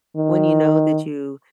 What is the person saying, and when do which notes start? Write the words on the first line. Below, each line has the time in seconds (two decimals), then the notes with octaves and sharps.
when you know that you
0.16 D#3